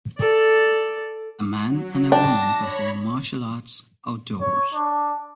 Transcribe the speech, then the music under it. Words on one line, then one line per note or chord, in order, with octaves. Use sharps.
A man and a woman perform martial arts outdoors.
A4 D5
F#3
D4 G5 A5 A#6
C#5 B5
C#5
D4